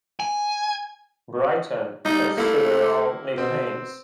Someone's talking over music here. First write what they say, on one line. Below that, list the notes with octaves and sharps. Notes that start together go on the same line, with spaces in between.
Brighton has several nicknames.
G#5
G3 D#4
A3 A#3 E4
B2 C4